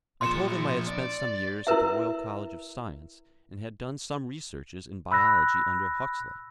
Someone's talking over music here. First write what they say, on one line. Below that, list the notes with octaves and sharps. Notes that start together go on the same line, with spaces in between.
I told him I had spent some years at the Royal College of Science, and had done some researches in biology under Huxley.
A#2 F3 C6 C#7 E7
D5
E4 A#4 B4 E5
B5 E6 F#6 A#6